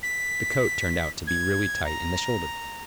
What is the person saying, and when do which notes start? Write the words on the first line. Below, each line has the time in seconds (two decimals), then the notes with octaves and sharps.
But the coat turned out to be really tight in the shoulders.
0.03 B6
1.27 G#6
1.85 A#5